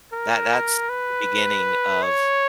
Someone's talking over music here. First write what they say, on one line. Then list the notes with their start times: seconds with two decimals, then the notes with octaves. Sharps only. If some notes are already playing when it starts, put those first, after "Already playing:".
that that's the beginning of
0.12 A#4
0.89 B4
2.03 C#5